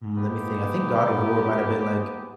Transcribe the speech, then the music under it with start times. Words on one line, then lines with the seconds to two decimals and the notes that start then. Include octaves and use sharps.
mm, lemme think I think God of War might have been, like
0.18 G#3 A#3 B3 G4